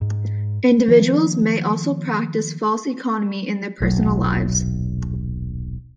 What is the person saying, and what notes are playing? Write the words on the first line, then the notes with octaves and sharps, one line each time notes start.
Individuals may also practise false economy in their personal lives.
G#2
D#3 F3 A#3 B3
D#1 B1 F#3